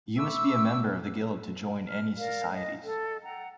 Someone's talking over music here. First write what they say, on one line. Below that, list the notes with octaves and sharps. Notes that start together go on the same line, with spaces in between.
You must be a member of the Guild to join any societies.
E5 B5 C#6 D6 E6
F6
A#4 D5 F5
D#5
A4
F#5 G5 A#5